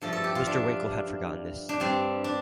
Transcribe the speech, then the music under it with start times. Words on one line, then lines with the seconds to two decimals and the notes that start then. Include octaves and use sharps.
Mr. Winkle had forgotten this.
0.01 G2 F3 A3 A4
0.13 A4
0.24 G4
0.35 F4
0.47 D4
1.69 D4
1.80 G2 G3 C4
2.24 D4